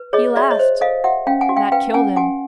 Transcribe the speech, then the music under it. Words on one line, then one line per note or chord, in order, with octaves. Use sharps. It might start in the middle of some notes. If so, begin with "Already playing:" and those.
"He laughed; that killed him."
Already playing: B4
G#4 C#5 D#5
F#4 D5 E5
C#5 D#5
C5
A4 D#5 F5
F#4 E5 F#5
C#4 F5 G5
F#5 G#5
F#4
F5 G5
B4 F5 G5
C#4 F#5 G#5
F#4 F#5 G#5